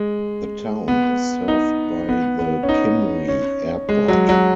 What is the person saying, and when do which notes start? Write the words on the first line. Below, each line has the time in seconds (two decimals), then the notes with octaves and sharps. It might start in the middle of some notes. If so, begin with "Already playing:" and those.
The town is served by the Kimry Airport.
Already playing: G#3
0.88 B3
1.48 D#4
2.09 B3
2.39 B3
2.63 C#4
2.69 D#4
3.28 C#4
3.89 G#3
4.08 F#3
4.29 F#3